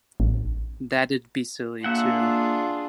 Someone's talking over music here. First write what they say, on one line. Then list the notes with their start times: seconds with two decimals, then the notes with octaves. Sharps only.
That'd be silly too.
0.20 A1
1.84 A#3 D4 F4 G#4 E5 F#5